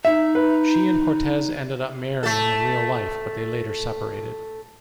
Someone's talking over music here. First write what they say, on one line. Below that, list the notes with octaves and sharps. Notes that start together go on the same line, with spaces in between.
She and Cortez ended up marrying in real life, but they later separated.
D#4 E5
B4
A3 A4